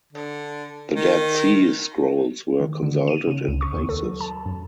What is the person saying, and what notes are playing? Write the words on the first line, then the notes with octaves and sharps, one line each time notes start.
The Dead Sea Scrolls were consulted in places.
D3
D#3
D#3
D3
D#7
C#3
C#2
C#6
D#2
A4
F#3
A5
F#2